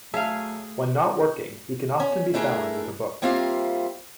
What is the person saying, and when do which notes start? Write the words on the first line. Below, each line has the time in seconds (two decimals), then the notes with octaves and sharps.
When not working, he can often be found with a book.
0.14 F#3 A3 G#4 E5 F5 A5
2.00 C#4
2.34 A3 D4 E4 G#4 A#4
3.22 G3 A#3 C4 F4 E5 F5